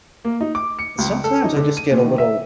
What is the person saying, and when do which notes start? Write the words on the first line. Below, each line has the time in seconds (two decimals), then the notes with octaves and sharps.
sometimes I just get a little
0.25 A#3
0.41 D#4
0.55 D6
0.79 C#7
0.98 C#2
1.24 A4
1.44 D#4
1.57 D3
1.77 D#7
1.91 A#2
2.05 D#3
2.18 E5